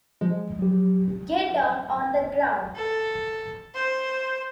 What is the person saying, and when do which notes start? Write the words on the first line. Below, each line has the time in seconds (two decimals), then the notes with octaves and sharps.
Get down on the ground.
0.21 F3 G#3
0.59 F#3 G4
2.76 A4
3.74 C5